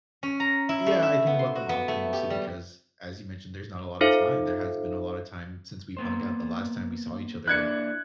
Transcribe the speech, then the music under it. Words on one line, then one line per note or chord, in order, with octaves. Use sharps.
yeah, I think about them often mostly because, as you mentioned, there's not a lot of time, there hasn't been a lot of time since we've hung out, the last time we saw each other
C#4
A#5
E4
A3
E5
B3
C6
F#4
B3
A3
G4
G3
D#4 F4 A4 C5 E5 F5
A#3 B3 C5
A#3 D4 E4 F#6 G#6 C#7